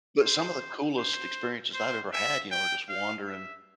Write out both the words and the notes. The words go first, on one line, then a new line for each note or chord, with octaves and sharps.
But some of the coolest experiences I've ever had, you know, are just wandering
C5
C5
C5
E5
G5
F5
E5